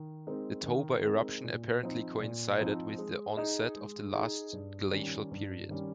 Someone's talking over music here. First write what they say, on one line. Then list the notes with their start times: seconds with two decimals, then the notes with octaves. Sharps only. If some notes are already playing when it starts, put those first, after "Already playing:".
The Toba eruption apparently coincided with the onset of the last glacial period.
Already playing: D#3
0.27 G#3 C4 D#4 A#4
0.66 D#3
1.04 G#3 C4 D#4 A#4
1.44 A#2
1.83 F3 C4 D#4
2.20 A#2
2.60 F3 C4 D#4
2.99 G#3
3.37 D#4 G#4 D#5
3.76 G#3
4.14 D#4 G#4 D#5
4.53 G2
4.92 D#3 G3 C#4
5.31 G2
5.69 D#3 G3 C#4